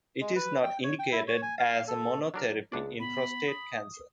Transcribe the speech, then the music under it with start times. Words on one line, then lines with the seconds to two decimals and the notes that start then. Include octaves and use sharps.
It is not indicated as a monotherapy in prostate cancer.
0.21 G#3
0.36 B4
0.63 G5
0.84 C#5
0.99 G5
1.12 E4
1.27 C#5
1.42 G#5
1.58 F5
1.88 A4
2.34 F#3 D4 A#4
2.72 C#2 D4 G#4 D5
3.00 B3 B5
3.48 D#6